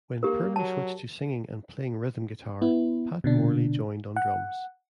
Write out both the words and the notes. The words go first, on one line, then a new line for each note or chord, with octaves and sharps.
When Pirner switched to singing and playing rhythm guitar, Pat Morley joined on drums.
A#3 G4 A#4
F#3 A5
B3 E4
B2 D3 D4
F#5